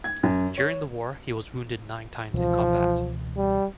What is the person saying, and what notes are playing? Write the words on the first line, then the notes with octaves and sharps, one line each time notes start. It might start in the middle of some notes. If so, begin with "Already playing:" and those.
During the war he was wounded nine times in combat.
G#6
F#2
C#5
C#2 B2 E3 F3
G3